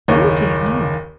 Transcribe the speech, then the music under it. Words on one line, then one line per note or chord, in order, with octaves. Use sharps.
'Oh dear, no!
F#1 D#2 C#5